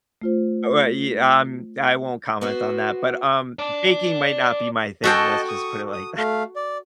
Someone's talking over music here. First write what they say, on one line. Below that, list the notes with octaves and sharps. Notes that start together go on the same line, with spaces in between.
uh, wa ye um, I won't comment on that, but, um, baking might not be my thing, let's just put it like
A3 F4 C5
B3 F#4 C5
D5 A5
F#4 A4 D#5 G5 A5
C#6 D#6
D#6
A3 F5
D5